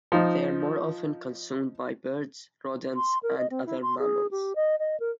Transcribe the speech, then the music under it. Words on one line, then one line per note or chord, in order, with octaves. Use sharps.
They are more often consumed by birds, rodents and other mammals.
F3 D#4
C6
A#4
D#5
C4
E4
C6
G#4
G4
D#5
D#5
A#4